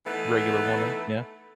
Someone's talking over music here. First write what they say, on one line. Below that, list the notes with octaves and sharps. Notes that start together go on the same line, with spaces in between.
Regular woman, yeah.
E3 A3 B3 D#4